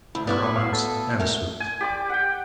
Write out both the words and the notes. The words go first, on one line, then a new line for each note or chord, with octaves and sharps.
A romance ensued.
D2 E4
B3 E4 F#4 D5
F5
A4
A3 G4 A#4
G#5
G4 D5 D6
F#5 G5